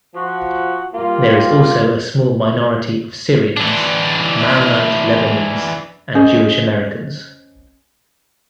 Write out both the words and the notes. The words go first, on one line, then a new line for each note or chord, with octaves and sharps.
There is also a small minority of Syrians, Maronite Lebanese, and Jewish-Americans.
F3 F#4
G3 A#3 F4
E3 D4
C#4 G#4 C5 D#5